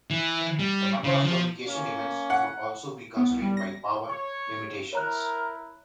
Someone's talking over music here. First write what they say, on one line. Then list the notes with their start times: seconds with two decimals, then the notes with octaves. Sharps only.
The number of communication events would also be constrained by power limitations.
0.10 E3
0.59 G3
1.04 C#3
1.25 F3
1.64 A#3 C#4
2.30 F#5
3.17 B3
3.30 C2
3.42 G3
3.57 A#6
4.09 C#5 C#6
4.93 E4 A#4 C#5 A#5 F#6